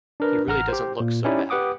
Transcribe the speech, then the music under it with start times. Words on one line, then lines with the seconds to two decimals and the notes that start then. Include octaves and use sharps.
He really doesn't look so bad.
0.20 D4 A#4 B4
0.47 A1 F#5 A#5 F6
0.68 G4 C5
1.00 A#2
1.25 C#4 D#4 E4 G4 D5
1.50 G4 B4 F#5 D6 D#6